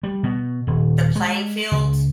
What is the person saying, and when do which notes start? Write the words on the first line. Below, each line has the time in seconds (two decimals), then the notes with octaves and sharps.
the playing field,
0.03 G3
0.23 B2
0.67 D#1
1.15 G#3
1.71 C#2